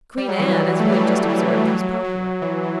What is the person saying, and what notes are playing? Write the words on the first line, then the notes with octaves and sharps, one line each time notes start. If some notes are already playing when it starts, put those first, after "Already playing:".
Queen Anne, as we have just observed, was popular.
G3
F#3
E3
F#3
A3
E3 G3
E3 G3
E3
F#3
F#3
E3
E3